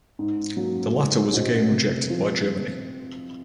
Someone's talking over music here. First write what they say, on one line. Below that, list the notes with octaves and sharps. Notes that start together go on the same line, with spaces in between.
The latter was again rejected by Germany.
G#2
F#3 A#3 C#4
G#3
C#4 F#4 C5 D#5
C3
F3 C4